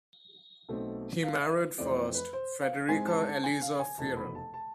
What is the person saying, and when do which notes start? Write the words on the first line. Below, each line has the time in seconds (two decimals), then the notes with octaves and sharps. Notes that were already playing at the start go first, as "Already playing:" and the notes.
He married first Frederica Eliza Fearon.
0.69 B1 B2 A3 C4
1.23 F5
1.41 E5
1.78 F2 E3 A3 C4 D5
1.96 C5
2.15 B4
2.33 C5
2.61 F5
2.88 G#2 G#3 C4 G#5
3.07 A5
3.25 A5
3.44 G#5
3.61 F5
3.80 G#5
3.98 F1 E2 B2 A5
4.17 B5
4.35 A5
4.54 A5